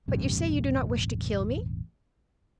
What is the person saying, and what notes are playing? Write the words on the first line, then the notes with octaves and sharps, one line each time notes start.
"But you say you do not wish to kill me?"
E1 A1 G2 C3